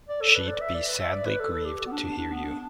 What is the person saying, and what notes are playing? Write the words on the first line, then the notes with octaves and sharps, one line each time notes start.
She’d be sadly grieved to hear you.
D5
A4
B4
D5
E5
D5
B4
E5
D5
B4
A4
A4
G4
B3
D4
D4
B3
D4